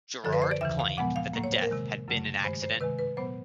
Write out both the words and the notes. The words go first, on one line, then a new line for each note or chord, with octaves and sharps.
Girard claimed that the death had been an accident.
F#2 D3 F3 A4
B4
C5
D5
D#2 C#3 E3 E5
F5
A#2 F3 G#3 B3 F#5
F5
A2 F#3 A#3
C#5
C5
A#4
C3 D#3 G#3
F#2 C#3 F#3 A3
G2 D#3 G#3 C5
C5
C3 D#3 G#3 B4
B4
A#2 F#3 B3 C5